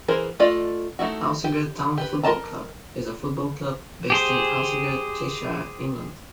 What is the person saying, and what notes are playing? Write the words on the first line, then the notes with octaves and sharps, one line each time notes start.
Alsager Town Football Club is a football club, based in Alsager, Cheshire, England.
E3 E4 G#4 A#4 C5
A3 F4 D5 D#5
A3 D#4 E4 F#4
G4
G4 B4
A#4 C5 D#5 A5 A#5
G4 G#4 C5